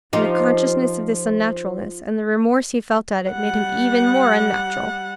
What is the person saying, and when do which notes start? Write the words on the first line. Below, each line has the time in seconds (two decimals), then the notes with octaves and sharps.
And the consciousness of this unnaturalness, and the remorse he felt at it, made him even more unnatural.
0.13 F3 D#4 G4
3.30 G3 F#5